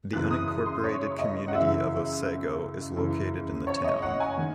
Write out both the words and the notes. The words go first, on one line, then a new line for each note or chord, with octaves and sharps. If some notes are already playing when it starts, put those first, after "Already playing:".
The unincorporated community of Otsego is located in the town.
F#2 C#3 E3 F#6
D#6
D#6
C6
C#5
D#5
F#5
F#2 C#3 E3 E5
F#2 C#3 E3
C#5
D#5
F#5
G#5
D#3